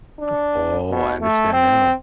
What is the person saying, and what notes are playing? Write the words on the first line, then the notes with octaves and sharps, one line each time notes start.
U Oh, I understand now.
D4
B2
A3
C4